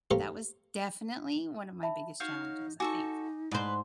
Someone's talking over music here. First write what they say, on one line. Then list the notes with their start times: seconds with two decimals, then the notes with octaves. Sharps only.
that was definitely one of my biggest challenges, I think.
0.11 G4 A4 A#4 C5 C#5 F5
1.83 E5 A5 B5
2.20 D#4 F#4 C#5 F5 G6
2.80 D#4 F#4 A4 G#5 C#6 D6
3.51 G#2 B4 C5